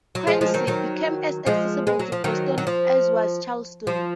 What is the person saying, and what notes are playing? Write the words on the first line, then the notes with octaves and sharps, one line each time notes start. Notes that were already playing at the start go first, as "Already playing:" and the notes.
Quincy became as accessible to Boston as was Charlestown.
F#3
F3 G#3
F3 G#3
D#3 F#3
D#3 F#3
F3 G#3
G#3
F#3
F3
D#3 F#3
F#3
F3
F3